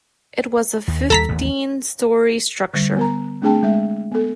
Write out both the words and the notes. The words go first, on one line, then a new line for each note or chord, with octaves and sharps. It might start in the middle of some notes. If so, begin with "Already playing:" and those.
It was a fifteen story structure.
D#2
D#2 G3 A4 A#5 B6
A1 D#2
D3 G3
B3 A#4 A#5
A3 C4 D4 G#4 G5 A5
G#3 E5
B3 A4